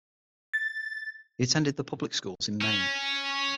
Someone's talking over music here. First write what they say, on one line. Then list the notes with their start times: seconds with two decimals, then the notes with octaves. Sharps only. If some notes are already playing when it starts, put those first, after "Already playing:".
He attended the public schools in Maine.
0.54 A6
2.62 C#4